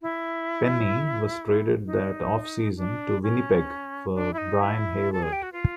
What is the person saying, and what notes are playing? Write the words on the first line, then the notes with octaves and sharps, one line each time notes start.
Penney was traded that offseason to Winnipeg for Brian Hayward.
E4
D#4
D4
C#4
D4
E4
D#4
E4
A4
G#4
G4
F#4
F4